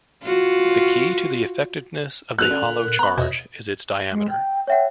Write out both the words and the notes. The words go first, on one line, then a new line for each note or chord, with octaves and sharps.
The key to the effectiveness of the hollow charge is its diameter.
F4 F#4
A#1 B2 E6 F#6 F7
D3 C#4 D5
A#2 A#4
B3 A#5 B5
E2 B2 E4 C#5 D#5
G#3
G5
C#5 E5 F#5 G5